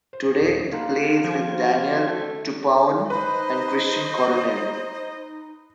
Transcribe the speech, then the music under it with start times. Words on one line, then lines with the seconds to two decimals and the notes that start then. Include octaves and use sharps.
Today the play is with Daniel Tupauan and Christian Coronel.
0.13 C5
0.40 D#2 A#2 D5 D#6
0.72 A#3 D#4 F4 G4 F#5 A5 B5
1.24 F3 F#4 G5 G#6
2.08 A3 C#4 D4
3.10 D#4 B4 C5 D#5